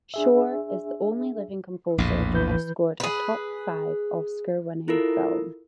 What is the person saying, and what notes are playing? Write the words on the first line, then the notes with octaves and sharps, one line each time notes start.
Shore is the only living composer to have scored a "Top Five" Oscar-winning film.
D4 G#4 E5
A#1 E2 A2
E3 B4 G6
G#4 B4
E4 F4 A4 A#4